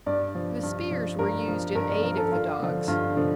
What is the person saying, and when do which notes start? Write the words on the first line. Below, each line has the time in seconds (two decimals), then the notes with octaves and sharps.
The spears were used in aid of the dogs.
0.06 G2 D5
0.35 F3
0.63 G2
0.91 F3
1.19 G2 A#4
1.48 F3
1.75 G2 A#4
1.89 D5
2.03 F3 A#4
2.17 A4
2.32 G2 F4
2.60 D3 F3
2.88 G2 F4
3.16 D3 F3